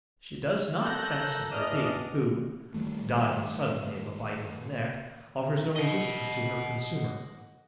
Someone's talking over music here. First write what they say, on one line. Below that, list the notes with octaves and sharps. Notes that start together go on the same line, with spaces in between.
She does not fasten her Bee, who, dying suddenly of a bite in the neck, offers no resistance to her consumer.
A4 A#4 F#6 G6 A#6
E2 D4 D#5 F6
D#3 G3 A3
D#5 F#5